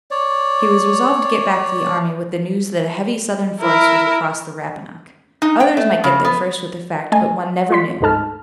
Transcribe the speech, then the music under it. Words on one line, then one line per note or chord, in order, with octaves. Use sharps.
He was resolved to get back to the army with the news that a heavy Southern force was across the Rappahannock. Others might get there first with the fact, but one never knew.
C#5 D5
E4 A#4
D#4
G5
A3
C#3
B3
A3 D#5 G#5
F4 C6 B6
D2 G#2 D#4 A4 A5 F6